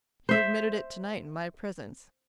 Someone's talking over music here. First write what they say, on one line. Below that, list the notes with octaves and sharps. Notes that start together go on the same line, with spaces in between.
He admitted it tonight in my presence.
C5 E5